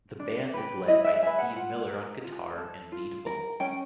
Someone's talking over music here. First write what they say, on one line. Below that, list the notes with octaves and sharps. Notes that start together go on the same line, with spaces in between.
The band is led by Steve Miller on guitar and lead vocals.
D4
G4 B4
E4 D#5
E5
G#4 B4 E5
F#5
F4 F#5
A#4
F4
A4
F4
A#4
C#4 G5